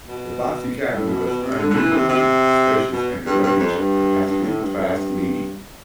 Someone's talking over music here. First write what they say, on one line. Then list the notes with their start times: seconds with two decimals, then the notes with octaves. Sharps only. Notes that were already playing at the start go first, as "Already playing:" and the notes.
The boxy cabin was unusually spacious and the luggage capacity class leading.
0.08 B2
0.92 A2
1.09 B2
1.26 B2
1.42 C3
1.59 D3
1.70 D3
1.76 E3
1.92 C3
2.09 C3
2.93 B2
3.26 G2
3.43 G2
3.59 F2
3.76 G2
4.26 G2
4.43 A2
4.60 G2
4.76 F2
4.93 G2